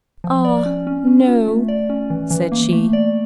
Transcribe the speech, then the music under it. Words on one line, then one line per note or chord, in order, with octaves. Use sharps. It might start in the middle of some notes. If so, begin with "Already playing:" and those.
"Ah no," said she.
F3
D5
C#4
C#4
C#4
F4
A3
D5
C#4
E3
E3
A#3
A3
D5